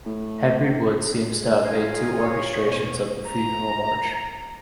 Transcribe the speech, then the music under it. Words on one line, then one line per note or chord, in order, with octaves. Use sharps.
Henry Wood seems to have made two orchestrations of the Funeral March.
A2
G#3
D#4 F4 G#5
C#5 D#6
B1 E2
A#5